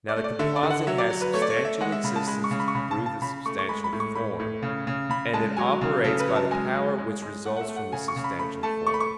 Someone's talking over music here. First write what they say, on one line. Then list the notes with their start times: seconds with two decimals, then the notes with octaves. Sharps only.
Now the composite has substantial existence through the substantial form; and it operates by the power which results from the substantial form.
0.09 D5
0.16 A3
0.24 D5
0.39 D3 E5
0.56 D5
0.63 D3
0.71 F#5
0.87 F#3 E5
0.98 D5
1.10 F#3
1.22 B4
1.34 A3 C#5
1.42 D5
1.50 C#5
1.57 A3
1.65 E5
1.81 G#3 F#5
1.92 E5
2.04 C#3 B5
2.16 A5
2.27 G#3 B5
2.44 C#6
2.51 C#3
2.60 B5
2.68 C#6
2.75 C#3 B5
2.91 A5
2.98 C#3
3.06 A5
3.22 C#3 B5
3.45 A3 C#6
3.59 C#6
3.69 G#3 B5
3.84 B5
3.93 A2
4.00 C#6
4.15 A2 B5
4.40 A2
4.62 C#3
4.87 C#3
5.09 C#3 B5
5.33 G#3 A5
5.57 F#3 G#5
5.81 C#3
6.04 C#3 A4
6.20 B4
6.28 F#3
6.36 A5
6.51 G#3 G#5
6.75 G#3
6.98 G#3
7.22 G#3
7.46 A3 F#5
7.56 F#5
7.61 E5
7.68 A3
7.76 F#5
7.92 C#3 G#5
8.08 C#6
8.16 C#3
8.24 B5
8.39 A3 B5
8.63 A3 A5
8.87 A3 C#6
8.94 B5
9.00 C#6